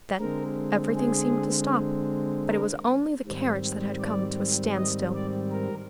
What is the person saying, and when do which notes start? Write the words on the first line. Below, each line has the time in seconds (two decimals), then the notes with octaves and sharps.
Then everything seemed to stop, but it was only the carriage that had come to a standstill.
0.20 D3 G#3 C4 A#4
0.97 G#4
2.49 A#4
3.25 G#2 D#3 G3 C4
4.00 D5
4.77 D#5
5.15 D5
5.52 A#4